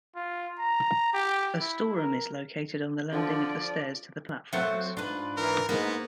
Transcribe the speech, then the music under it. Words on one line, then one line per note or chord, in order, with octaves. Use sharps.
A storeroom is located on the landing of the stairs to the platforms.
F4
A#5
G4
E4
A#4
D3 F3 D5
F#3 A3 C4 F4 F#5
G#2 D4 F4 B4
E3 A#4
G#2 A#3 B3